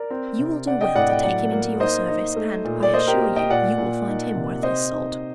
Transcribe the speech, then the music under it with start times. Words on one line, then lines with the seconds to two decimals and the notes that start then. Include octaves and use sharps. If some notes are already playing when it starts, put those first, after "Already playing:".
You will do well to take him into your service, and, I assure you, you will find him worth his salt.'
Already playing: A#4 D5
0.10 C4
0.39 C3
0.67 D4 D5 F#5
0.81 D#5 G5
0.95 A2 D5 F#5
1.09 D#5 G5
1.23 F#3 D5 F#5
1.52 A#3
1.80 D#4 C5 D#5
2.08 D#4
2.36 A3
2.65 A#2
2.83 D5
2.94 A#3 C5 D#5
3.07 G4 A#4
3.22 A#3
3.36 D#5 G5
3.50 A#2 D5 F#5
3.78 A#2
4.07 D#4
4.35 C3
4.63 C4 C5 D#5
4.92 D#4